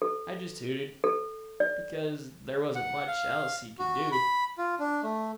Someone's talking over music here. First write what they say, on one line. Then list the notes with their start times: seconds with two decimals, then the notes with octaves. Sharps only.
I just hooted, because there wasn't much else he could do.
0.02 A4
1.04 A4
1.60 D5
2.75 F#5
3.07 F5
3.79 F#4
4.12 B5
4.58 F4
4.79 D4
5.03 A3